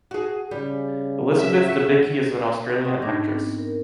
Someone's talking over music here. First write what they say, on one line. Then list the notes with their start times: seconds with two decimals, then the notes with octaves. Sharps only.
Elizabeth Debicki is an Australian actress.
0.11 F#4 G#4
0.51 C#3 G3
1.39 E5
1.69 F#4
2.85 D#5 F#5 G5 C6 C#6 D#6
3.02 G#2 D4 D#4 D6 G#6 A#6
3.26 B3 C4
3.58 A#4